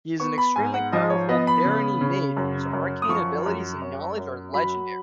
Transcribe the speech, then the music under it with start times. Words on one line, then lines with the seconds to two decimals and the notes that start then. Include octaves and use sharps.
He is an extremely powerful Deryni mage whose arcane abilities and knowledge are legendary.
0.20 B3 C#6
0.38 B5
0.56 G#2 G#5
0.74 F#5
0.92 F3 D#5
1.10 C#5
1.29 B3 D#5
1.47 B5
1.65 C#3
2.01 C#3
2.37 F#2
2.73 F#2
3.02 D#6
3.09 F3 C#6
3.46 F#2
3.81 F#2
4.17 F#2
4.54 F#3 B5